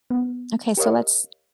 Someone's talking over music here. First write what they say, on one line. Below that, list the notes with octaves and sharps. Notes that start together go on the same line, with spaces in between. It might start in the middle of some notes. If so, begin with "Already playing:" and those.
Okay, so let's
B3
G4 A#4 C#5 D#5 F5